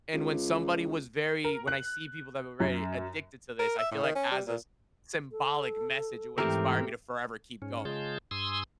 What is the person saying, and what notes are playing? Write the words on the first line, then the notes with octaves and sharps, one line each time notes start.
And when somebody was very when I see people that were very addicted to this, I feel like as a s symbolic message, it would inspire me to, forever, keep going.
C#2
A#4
F#6
F#2
A#4
E5
A2
D#3
C#4
G3
A#2
A4
G#2 E3 A3 C4 G4 A#4
G#2 C#4
C#3 G#3 F4 G#4 A5 G6
G2 G#5 C6 D#6 E6